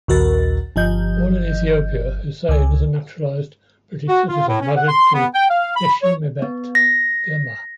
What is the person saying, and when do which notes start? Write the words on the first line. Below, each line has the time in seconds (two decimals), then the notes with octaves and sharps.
Born in Ethiopia, Hussain is a naturalised British citizen married to Yeshshiemebet Girma.
0.08 A#1 D#2 F#4 A#4 A6
0.76 G1 F3 D#5 G6
2.49 C#2 G#5
4.09 F#4
4.29 F4
4.48 A2
4.61 C#4
4.76 F#5
4.89 C6
5.14 B3
5.34 G5
5.49 F5
5.76 B5
6.03 C#5
6.42 B3
6.75 A#6